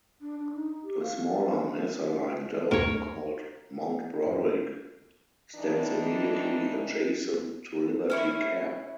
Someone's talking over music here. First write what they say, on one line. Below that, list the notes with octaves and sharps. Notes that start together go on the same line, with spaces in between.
A smaller, mesa-like dome called Mount Broderick stands immediately adjacent to Liberty Cap.
D4
D4
D#4
G4
F5
D5
D4
D2 A#4 C#5
D#3 E3 G3 D4 D#4
C#4 E4 C#6